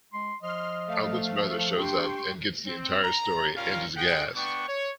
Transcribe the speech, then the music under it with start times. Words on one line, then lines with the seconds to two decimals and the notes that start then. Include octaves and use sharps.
Albert's mother shows up and gets the entire story and is aghast.
0.13 G#3 C6
0.43 F3 D#5 C6 F6
0.87 A3 F5
1.77 D4 G4 G5 C6 C#6
2.67 C4
3.04 A#5
3.56 G3 C#4 F4 A#4 F5
3.97 G#4 F#5 G5
4.36 B3 D4 G5 C#6
4.68 C#5